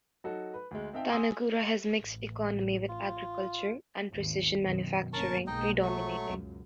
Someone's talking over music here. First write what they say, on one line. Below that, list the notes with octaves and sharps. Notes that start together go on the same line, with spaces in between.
Tanagura has mixed economy with agriculture and precision manufacturing predominating.
F#3 D#4 F#4 A4
B4
D2 G#3
C4 D#4 E5 F5 G5 A5
F#5 G#5 C6 D#6 E6
A1
F4
G#1 D#2
F#2 B2 D#3
G1 A#3 C#4 A#4 A5 C#6
B1 G#3 A#3 D#4 D#5 G5
F#3 A3 C#6
C#2 F#2